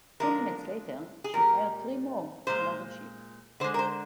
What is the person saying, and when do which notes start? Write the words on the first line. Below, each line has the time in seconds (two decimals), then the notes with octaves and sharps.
Two minutes later, she fired three more at another ship.
0.20 D3 F3 G#3 A#4
1.24 G#4
1.34 A#2 G3 A#4
2.47 A#2 G#3 C5
3.60 D3 C5
3.64 G#3
3.74 A#4
3.79 C5